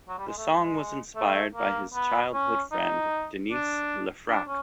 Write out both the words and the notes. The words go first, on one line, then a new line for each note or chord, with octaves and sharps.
The song was inspired by his childhood friend, Denise Lefrak.
F#3
G3
G#3
A3
G#3
A3
A#3
B3
C#4
D#4
D4
D4
C#4